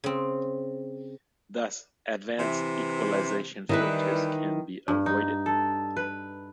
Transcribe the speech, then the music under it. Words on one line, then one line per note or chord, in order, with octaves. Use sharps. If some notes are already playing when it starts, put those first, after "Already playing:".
Thus, advanced equalization filters can be avoided.
C#3 C4
C3 E3
D#3 E3 G3 E4 B4
G2
D#4
A4
B4